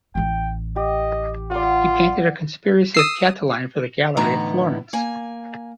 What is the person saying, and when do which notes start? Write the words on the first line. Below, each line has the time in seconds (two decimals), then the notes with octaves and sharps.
He painted a "Conspiracy of Catiline" for the Gallery at Florence.
0.15 A1 E3 G5
0.76 G4 D#5
1.51 F4 D5 F#5
2.94 D#6 E6 C7
4.17 A2 D3 E3 B3 D#4 A#5
4.93 A#3 G#5